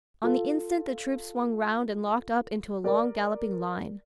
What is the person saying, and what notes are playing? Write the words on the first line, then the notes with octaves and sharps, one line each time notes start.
On the instant the troops swung round and locked up into a long, galloping line.
F4 A4
A#4 D5